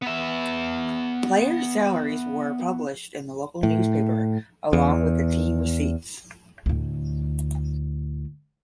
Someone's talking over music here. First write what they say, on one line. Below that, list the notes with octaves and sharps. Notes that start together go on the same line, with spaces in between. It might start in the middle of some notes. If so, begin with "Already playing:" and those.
Player salaries were published in the local newspaper along with team receipts.
B3 E5
A2
E2
D2 A2